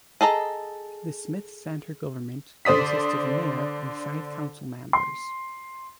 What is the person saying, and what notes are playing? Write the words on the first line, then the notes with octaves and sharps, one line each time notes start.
The Smith Center government consists of a mayor and five council members.
G#4 A4 D#5 A#5
D3 C5 D5 D#6 B6
C6